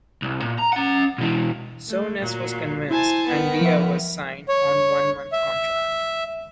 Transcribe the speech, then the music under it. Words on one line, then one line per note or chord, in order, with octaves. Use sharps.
Souness was convinced, and Dia was signed on a one-month contract.
C2
A#2
A#5
C#4 F#5
B2 E3
A3
A#2 F#3
E4 C5 G#5 A5
D#3 B3
F3 E5
C#5
E5